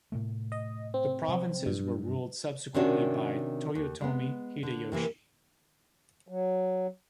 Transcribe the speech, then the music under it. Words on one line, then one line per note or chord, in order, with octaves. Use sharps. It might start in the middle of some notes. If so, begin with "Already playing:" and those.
The provinces were ruled subsequently by Toyotomi Hideyoshi.
A2 C3 A3
D#5
C4
C3 F3 F#3
G2
C3 D#3 C#4 D4 F#4
D#2
G#3 B3
D3
C3 E3 A#3
F#3